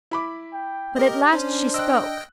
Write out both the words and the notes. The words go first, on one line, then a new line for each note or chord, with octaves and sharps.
But at last she spoke.
E4 B5 D6
G5
G4 A#4 D#5
C#4 D4 C5
D#5 G5 E6 F#6